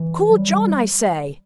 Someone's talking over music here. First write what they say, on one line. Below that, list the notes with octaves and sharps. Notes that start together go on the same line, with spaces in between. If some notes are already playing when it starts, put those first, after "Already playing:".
Call John, I say!'
Already playing: E3
F#3
G3